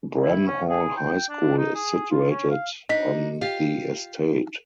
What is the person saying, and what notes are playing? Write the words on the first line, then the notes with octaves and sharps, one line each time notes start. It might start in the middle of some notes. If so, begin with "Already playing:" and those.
Bramhall High School is situated on the estate.
E4
C#4
G#4
G5
D4
D#4
G#4
F4
C#4
F5
D4 D#4 D#5 B6
F4 G4 F5